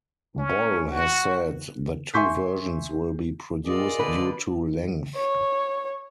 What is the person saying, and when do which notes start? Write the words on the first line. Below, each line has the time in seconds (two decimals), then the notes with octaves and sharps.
Boll has said that two versions will be produced due to length.
0.39 C#4
0.91 F#4
2.14 E5 G#5 C6 C#6 G6 B6
3.66 B2 F4 G#4 A#4 D5 D#5
3.98 D3 B4
5.16 C#5